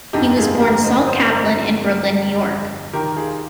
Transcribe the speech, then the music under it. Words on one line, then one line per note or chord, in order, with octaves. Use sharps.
He was born Saul Kaplan in Brooklyn, New York.
G1 F2 D3 D#4 G4
F4 G#4
G4 A#4
C5 D#5
C5 D#5
C5
A#4 D5
D#2 D#3 G4 A#4
F4 G#4